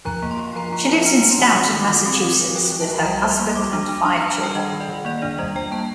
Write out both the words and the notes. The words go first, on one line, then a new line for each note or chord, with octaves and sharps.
She lives in Stoughton, Massachusetts with her husband and five children.
F3 A#5
A#3
C6
A#3
F3 A#5
A#3 A#5
F3 A5
D4 A#5
D4
C6
D#3
D#3 D#6
D#3
D6
D#3
C4
C4
F3
F3 G5
F3
A5
F3
A5
G3 A#5
G3
C6
A#3
G3 D6
D4
D6
D4
D4 C6
D4 A#5
A5
G3 G5
D#3 D#5
D#3
D5
D#3
A#3 D5
D4 D5
G3 D#5
G3 G5
A#3 A5